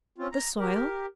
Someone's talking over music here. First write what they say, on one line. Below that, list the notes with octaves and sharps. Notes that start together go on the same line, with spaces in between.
The soil.
C4 C#4 F4
A#5
G4 A#4